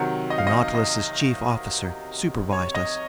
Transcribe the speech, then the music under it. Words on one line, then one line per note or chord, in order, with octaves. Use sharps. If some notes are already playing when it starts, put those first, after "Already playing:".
The Nautilus's chief officer supervised us.
Already playing: C3 D#3 F#3 F#5
D#5
F5
D#5
D#5
C#5
D#5